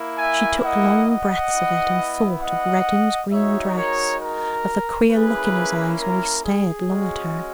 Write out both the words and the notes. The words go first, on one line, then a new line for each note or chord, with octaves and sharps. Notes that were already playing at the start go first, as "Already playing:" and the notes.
She took long breaths of it, and thought of Reddin's green dress, of the queer look in his eyes when he stared long at her.
Already playing: A#3 E4
E5 G#5
D#5 F#5
D#5 F#5
B3 E4
D#5 F#5
G#3 D#4 F#4 C#5 E5
A#4 C#5
A#4
A#3 C#4 E4 G#4 B4
A#4
G#4
G#3 C#4 F#4